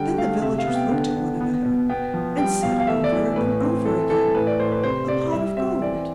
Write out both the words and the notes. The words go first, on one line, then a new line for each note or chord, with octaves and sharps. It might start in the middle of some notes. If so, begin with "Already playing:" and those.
Then the villagers looked at one another, and said over and over again, "A pot of gold!"
Already playing: D3 G3 G5
A3 F5
C3 E5
F5
B3
G5
D3
D3
B3
B2
B3 G5
F3
G3 G5
B2 F5
F5
A3 E5
D5
E3
A2 B4
C4
E3 A4
E3 A4
A2 B4
D5
A2 C5
B4
C3 C5
C3 D5
G3 E5
C4 E5
E3 D5